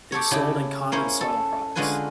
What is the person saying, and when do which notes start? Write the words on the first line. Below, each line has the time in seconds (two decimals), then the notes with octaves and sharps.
They sold in common soil products.
0.12 G4 A4 C#5
0.31 C#3 E4 G4
0.92 A#3 C#4 E4 C5 C#5
1.21 A4
1.75 D3 G#3 C#4 F4 B4 G#5